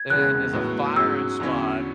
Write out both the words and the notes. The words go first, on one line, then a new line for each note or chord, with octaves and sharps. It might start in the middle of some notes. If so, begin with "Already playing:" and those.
and there's a firing squad
Already playing: G#6
E1 E2 C#3 G#3 F#6
A2 F#3 B3
G#2 F#3 C#4 G#4 E6
E2 D3 F#3 C#4 E4